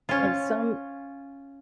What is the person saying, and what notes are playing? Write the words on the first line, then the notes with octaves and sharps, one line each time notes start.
And some
C#4 F4